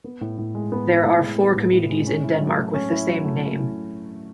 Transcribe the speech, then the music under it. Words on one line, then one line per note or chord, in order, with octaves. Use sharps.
There are four communities in Denmark with the same name.
B3
A2
A2
G#3
B3
A2
A2
G#3
B3
A2
A2
G#3
C#4
E4
F#3
A3
C#4
E4
F#3
A3
C#4
E4